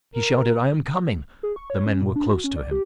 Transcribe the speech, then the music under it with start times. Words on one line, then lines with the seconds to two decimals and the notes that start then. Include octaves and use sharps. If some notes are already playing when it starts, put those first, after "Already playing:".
He shouted, 'I am coming!' The men were close to him.
0.15 A#4
1.43 G#4
1.56 C#6
1.70 C#5
1.86 C#4
2.02 A#2
2.16 D4
2.28 F#4
2.44 C#4
2.56 D5
2.71 G4